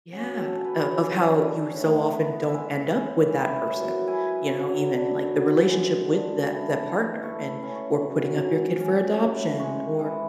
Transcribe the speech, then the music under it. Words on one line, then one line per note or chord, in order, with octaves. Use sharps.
yeah, of of how you so often don't end up with that person, you know, even, like, the relationship with that that partner and or putting up your kid for adoption or
C#4 F#4
A4
C#4
B4
C#3 C#5
D4
A2
B3
G#3 E5
C#4
E3
F#2
E4 G#5
F#3
D3
F#2
G#3
D3
E3 A5
A5
E3
B5
A3 C#6
B5
C#4
C#6
F#3
G#2
C#4
A2
G#3 C#6
E3